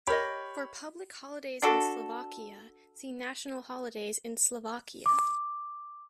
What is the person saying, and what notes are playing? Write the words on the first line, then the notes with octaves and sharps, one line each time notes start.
For Public holidays in Slovakia see National holidays in Slovakia.
G4 A#4 C#5 D#5 B5
D4 F#4 A4
D6